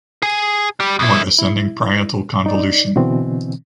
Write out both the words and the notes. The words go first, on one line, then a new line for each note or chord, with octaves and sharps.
Or ascending parietal convolution.
G#4 G#5
G3 G4
F2 E4
E4
D#4 D5
B2 D3 E3 C4